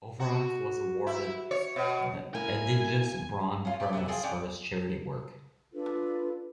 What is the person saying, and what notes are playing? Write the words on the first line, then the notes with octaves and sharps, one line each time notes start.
Overath was awarded the Egidius-Braun-Preis for his charity work.
F#4
E4
C#5
B2
A#3 E4 A#4 G#5
C#4 F4
G4 D5
A#2 E3 B3 E5
F3 F4 G#4 G5
C#4 D4 D5 G5
D4 F4 A4 B4